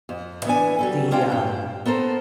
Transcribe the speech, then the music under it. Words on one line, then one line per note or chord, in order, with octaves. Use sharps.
the, um
F2
E3 B3 D4 G#5
F#3 G3 A4
G#3 C#4 D4 F4 G5
G2 G5
B3 A4 A#4 C5